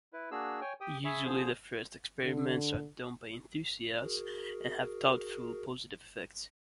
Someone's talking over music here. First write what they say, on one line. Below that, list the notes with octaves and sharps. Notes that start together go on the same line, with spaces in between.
Usually the first experiments are done by enthusiasts and have doubtful positive effects.
E4 B4
A#3 D4 F#4 G#4 E6
C#5 G5 G#5
G4 G5 D#6
G#4 E5 G#5 B5 C#6
D3 F3 G#4 C5
D3
F#4 G#4 A#4